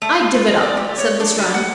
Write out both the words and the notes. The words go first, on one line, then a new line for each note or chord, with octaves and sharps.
"I give it up," said Lestrade.
A3
F5
F4
D5
G4
C#5
D4
G3
F#5